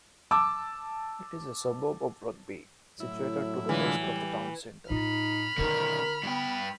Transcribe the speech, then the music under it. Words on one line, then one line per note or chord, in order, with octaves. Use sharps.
It is a suburb of Rugby, situated to the west of the town centre.
A5 D6 E6
A2 F#3 E4
D3 E3 G#3 F4
G3
A2 D#4 F4 B5 F6
B2 D3 D#3 D#4 A#4
G2 B3 G5